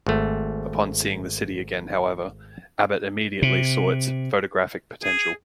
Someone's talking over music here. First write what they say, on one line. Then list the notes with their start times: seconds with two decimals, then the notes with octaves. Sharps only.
Upon seeing the city again, however, Abbott immediately saw its photographic potential.
0.07 G#1 A3
3.42 C3
5.04 G#4